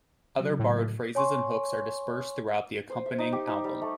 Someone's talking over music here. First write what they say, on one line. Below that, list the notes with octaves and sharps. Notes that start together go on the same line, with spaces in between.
Other borrowed phrases and hooks are dispersed throughout the accompanying album.
C#3 F#3
A2
C#5 G#5 C6 C#6
C5
E5
D#4
G4
D#4
G3
A3